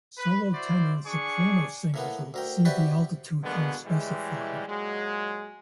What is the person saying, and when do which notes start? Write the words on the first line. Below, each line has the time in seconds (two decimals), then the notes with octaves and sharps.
Solo tenor and soprano singers will exceed the altitude here specified.
0.18 B4
0.52 E4 F#4 C5 D5
1.05 D4 G#4 C#6
1.94 A2 A#3 B3
2.34 D2 A#4 G5
2.65 C3 F#4 G4 B4 D5 G5
3.43 B2 D3 G#3 A#3 B3
3.86 A2 E3 G3 G#3
4.68 A#2 F#3 G#3